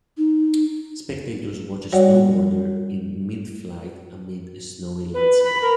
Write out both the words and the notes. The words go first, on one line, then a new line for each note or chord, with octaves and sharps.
Spectators watch a snowboarder in midflight amid a snowy landscape.
D#4
G3 F#4 C#5 D5 F#5
B4
B5
A#4